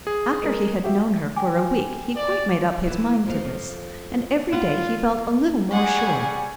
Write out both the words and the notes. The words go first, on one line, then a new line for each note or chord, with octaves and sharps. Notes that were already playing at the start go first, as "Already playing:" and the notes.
After he had known her for a week he quite made up his mind to this, and every day he felt a little more sure.
G#4
G#3 A#4
F#4 G4 E5
G5 G#5 D6
D5
E3 B3
F2 F3 F5
B3 F4 F#5
G3 G#4 F#5 G#5 C#6